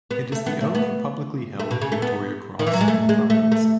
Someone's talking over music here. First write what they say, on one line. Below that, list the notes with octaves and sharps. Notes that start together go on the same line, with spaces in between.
It is the only publicly held Victoria Cross in the province.
B3
A3
B3
A3
B3
A3
B2
C#3
A3
B3
D#3
E3
F#3
G#3
A3
G#3
A3
A3